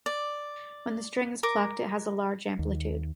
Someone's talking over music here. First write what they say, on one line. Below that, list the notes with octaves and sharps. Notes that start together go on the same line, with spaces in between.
When the string is plucked, it has a large amplitude.
D5
A#4 D6
D#2